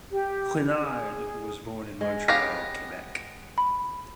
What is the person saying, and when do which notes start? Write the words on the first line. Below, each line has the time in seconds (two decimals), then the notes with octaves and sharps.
Chouinard was born in Montreal, Quebec.
0.11 G4
0.78 G#4
2.01 G#3
2.28 B3 G4 C#5 F5 A#6
3.58 B5